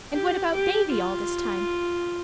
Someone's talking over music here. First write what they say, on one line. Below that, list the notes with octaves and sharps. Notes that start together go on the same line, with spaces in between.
And what about Davy all this time?
G4
G4
F4